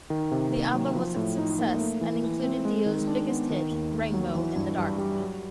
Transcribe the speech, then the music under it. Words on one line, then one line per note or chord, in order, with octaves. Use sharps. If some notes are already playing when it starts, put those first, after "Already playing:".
The album was a success and included Dio's biggest hit, "Rainbow in the Dark".
D#3
C3
A#3
F#3
F3
A2
D#4
A#3
A3
E3
E3
C4
G#3
D#3
D4
B3
D#3
D#2
A3
F#3
E3
G2
G2
G3
F#3